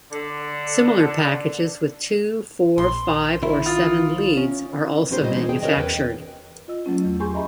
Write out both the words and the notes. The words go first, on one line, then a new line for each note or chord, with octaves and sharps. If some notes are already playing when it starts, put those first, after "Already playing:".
Similar packages with two, four, five or seven leads are also manufactured.
D3
A#1 C6
D#3 E4
F4 D#6
C#4
B3 C#4 D#4 G4 A#4 C5
A#2 G3 B3 C5 D#5
E3 G#3 C#4 D#4
G#4 G5
C#4 F#4 A#4 B4 C#5 D#5
E2 B4 G5
F4 D#5 E6
F#3 A3 C#4 F4
E2
G4 G#4 G#5 C6 C#6 G6
D#2 D#5 E5 A#5 B5